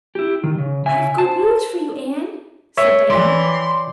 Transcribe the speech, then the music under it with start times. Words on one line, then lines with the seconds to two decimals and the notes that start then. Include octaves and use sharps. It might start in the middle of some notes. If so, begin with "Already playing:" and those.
"I've good news for you, Anne," said Diana.
0.15 E4 G4
0.44 D#3
0.58 C#3
0.86 C#3 E5 G#5
1.18 C5 A5
2.77 C#5 E5
3.10 E3 D5 G5 C6